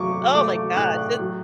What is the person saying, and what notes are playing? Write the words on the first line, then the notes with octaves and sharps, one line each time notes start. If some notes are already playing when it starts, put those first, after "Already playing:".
Oh my gosh, and
Already playing: F#3 A3 C#6 D6
A3 D6
A2 F#6
F#3